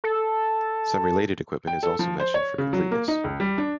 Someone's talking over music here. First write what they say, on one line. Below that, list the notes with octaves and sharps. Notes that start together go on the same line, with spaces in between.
Some related equipment is also mentioned for completeness.
A4
G5
A4
F3
C5
C#5
C#3
F#3
A#3
D#4
C#2
G3
D4